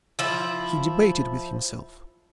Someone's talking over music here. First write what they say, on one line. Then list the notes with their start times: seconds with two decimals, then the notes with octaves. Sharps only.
He debated with himself.
0.19 F3 E4